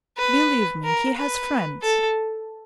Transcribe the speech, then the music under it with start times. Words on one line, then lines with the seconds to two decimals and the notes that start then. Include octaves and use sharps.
Believe me, he has friends.
0.18 B4
0.84 A#4
1.17 B4
1.82 A4